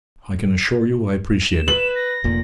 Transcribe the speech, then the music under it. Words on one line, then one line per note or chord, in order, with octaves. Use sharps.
I can assure you I appreciate it.
E7
B4 F#7
A#6
F1 A#2